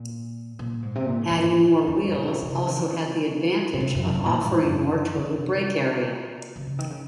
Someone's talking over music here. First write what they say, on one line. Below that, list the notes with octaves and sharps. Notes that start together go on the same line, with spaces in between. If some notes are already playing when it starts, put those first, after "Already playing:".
Adding more wheels also had the advantage of offering more total brake area.
Already playing: A#2
A#2
G#2
C3
A#2
G#2
A#2
G#2
A#2
F2
F#2
A#2
C3
C3
C#3
D#3
C#3
A#2
C3
F2
F#2
F#2
A#2
G#2
F#2
C3
C#3
C#3
D#3
C#3